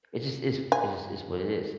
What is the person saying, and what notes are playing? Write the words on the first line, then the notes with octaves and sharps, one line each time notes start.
it's just it's it just what it is.
G#5